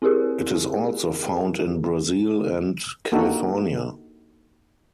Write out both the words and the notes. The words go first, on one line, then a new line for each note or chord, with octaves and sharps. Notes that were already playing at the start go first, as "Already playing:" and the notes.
It is also found in Brazil and California.
C4 E4 G4 G#4 A#4
A#3 D4 D#4 F#4 G4 A4